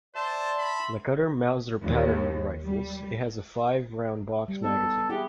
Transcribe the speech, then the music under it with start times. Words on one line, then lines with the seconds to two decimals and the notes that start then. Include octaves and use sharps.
Like other Mauser pattern rifles, it has a five round box magazine.
0.15 C5 D5 E5 A5 C6
0.58 B5
1.83 D#2
2.64 G3
4.48 G3
4.64 B3 D#4 A4
5.09 E4 G4 G#4 F#5